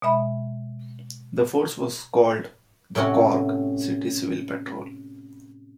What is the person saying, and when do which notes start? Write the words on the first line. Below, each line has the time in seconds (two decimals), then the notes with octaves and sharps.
The force was called the Cork City Civil Patrol.
0.02 B2 G#3 D#5 E5 B5
2.95 A2 C3 C#4 F#4